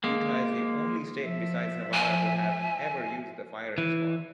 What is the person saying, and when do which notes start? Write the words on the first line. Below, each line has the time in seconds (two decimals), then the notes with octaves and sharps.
Utah is the only state besides Nevada to have ever used the firing squad.
0.04 G#3 A#3
1.22 F3 E5
1.93 G#5
3.78 E3